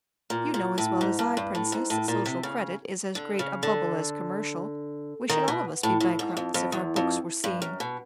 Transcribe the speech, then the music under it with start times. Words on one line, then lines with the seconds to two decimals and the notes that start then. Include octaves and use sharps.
You know as well as I, Princess, that social credit is as great a bubble as commercial; we should all of us be bankrupts if our books were seen.
0.30 A#2
0.54 A#2
0.78 A2
1.01 G#2
1.19 G2
1.37 G2
1.55 A2
1.72 G#2
1.90 A2
2.08 A#2
2.26 C3
2.43 C#3
3.15 D3
3.39 C#3
3.63 D3
5.29 D#3
5.48 B2
5.83 A2
6.00 A2
6.19 G#2
6.37 F2
6.54 F2
6.72 E2
6.96 F2
7.44 G2
7.62 F#2
7.80 B2